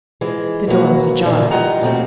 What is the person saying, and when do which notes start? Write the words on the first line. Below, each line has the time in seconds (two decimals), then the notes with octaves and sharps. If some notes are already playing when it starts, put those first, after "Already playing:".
The door was ajar.
0.21 E3 F3 G#3
0.67 B2 F#3 A#3 F#4 B4
1.25 G2 A#2 D3 A#3 D4 D#4
1.51 E3 G3 F4 D#5 F#5 A#5
1.81 D#2 B2 F3 A3 C4 F#4